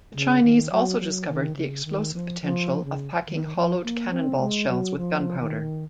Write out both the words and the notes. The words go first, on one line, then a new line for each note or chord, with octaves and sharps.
The Chinese also discovered the explosive potential of packing hollowed cannonball shells with gunpowder.
C#3
D#3
F#3
F#3
D#3
C#3
D#3
F3
F3
C#3
D#3
F3
A#3
C4
G#3
F#3
F3
D#3